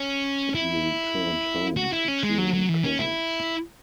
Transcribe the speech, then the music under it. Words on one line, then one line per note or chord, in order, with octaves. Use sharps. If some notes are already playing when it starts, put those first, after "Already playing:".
He returned home to cheering crowds.
Already playing: C#4
E4
F#4
E4
C#4
G#3
F#3
F#3
E3
C#4
E4